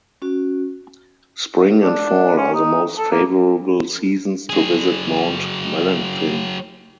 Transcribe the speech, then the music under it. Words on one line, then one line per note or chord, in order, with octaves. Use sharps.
Spring and fall are the most favorable seasons to visit Mount Mellenthin.
C#4 F#4
D4
C#4
D#4
A4
A#3
F#3 G#4